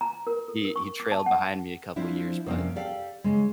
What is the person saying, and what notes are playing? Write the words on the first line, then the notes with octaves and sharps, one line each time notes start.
He he trailed behind me a couple years, but,
A#5
A#4
A4
A#4
C#6
D6
A5
F#5
F3 C4 D4 E4
F2 C3 A#3 C#4 D5
G4 A4 D5 F5 G5
C#3 G#3